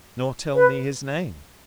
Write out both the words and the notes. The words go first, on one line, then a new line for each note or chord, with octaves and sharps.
"Nor tell me his name."
B4